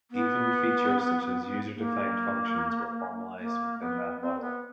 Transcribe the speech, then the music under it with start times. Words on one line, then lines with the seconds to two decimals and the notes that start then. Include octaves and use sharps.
Even features such as user-defined functions were formalized within that model.
0.11 B3
1.75 A#3
3.38 A#3
3.80 B3
4.21 C4
4.41 B3